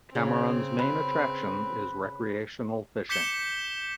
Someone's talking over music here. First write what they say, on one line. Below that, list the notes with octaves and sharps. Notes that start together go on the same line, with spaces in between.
Cameron's main attraction is recreational fishing.
C#3 C4
B4
D6 G6 B6 C#7 E7 G7